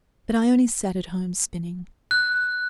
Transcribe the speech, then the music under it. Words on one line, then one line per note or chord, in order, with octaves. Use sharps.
But Ione sat at home spinning.
F#6